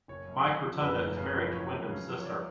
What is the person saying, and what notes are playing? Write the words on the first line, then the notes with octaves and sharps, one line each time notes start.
Mike Rotunda is married to Windham's sister.
F#1 C#5
F#2
C#3
F3
F#1 B4
F#2
C#3
F3
F#1 C#5
F#2
C#3
F3
C#5
D5